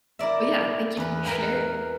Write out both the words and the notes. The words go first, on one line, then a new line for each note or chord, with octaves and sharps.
But, yeah, thank you for sharing
E4 A#4 D5 E5
E2 B4
A#4 B4 G5 G#5